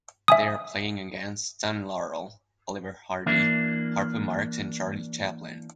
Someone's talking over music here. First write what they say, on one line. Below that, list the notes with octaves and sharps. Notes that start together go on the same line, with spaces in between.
They are playing against Stan Laurel, Oliver Hardy, Harpo Marx, and Charlie Chaplin.
E5 G#5 D#6
E3 A#3 D4 E5